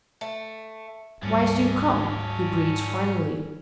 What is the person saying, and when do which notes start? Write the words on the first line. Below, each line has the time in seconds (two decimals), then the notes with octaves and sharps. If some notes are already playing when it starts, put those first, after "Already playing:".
"Why did you come?" he breathed finally.
0.21 A3
1.23 D2 G#2 F#3 G3 C#4 D4